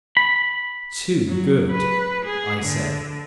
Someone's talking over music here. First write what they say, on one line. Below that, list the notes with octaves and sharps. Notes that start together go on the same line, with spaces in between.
"Too good," I said.
B5
F#3
B4
G#4
D3